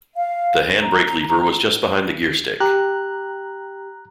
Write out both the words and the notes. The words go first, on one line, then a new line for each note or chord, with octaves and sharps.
The handbrake lever was just behind the gearstick.
F5
A#5
A#5
G4 A#5 F#6